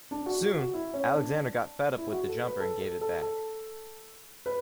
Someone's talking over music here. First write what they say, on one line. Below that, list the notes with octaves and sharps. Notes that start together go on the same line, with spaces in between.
Soon, Alexander got fed up with the jumper and gave it back.
D4
F#4
F#4
F#4
E4
C#4
D4
E4
F#4
A4
B4
A4
A4
A4
A4
B4